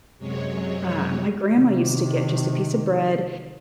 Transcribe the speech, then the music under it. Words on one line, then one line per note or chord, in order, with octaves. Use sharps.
Uh, my grandma used to get just a piece of bread
F#2 C3 F#3 G#3 C#5
C3 D#3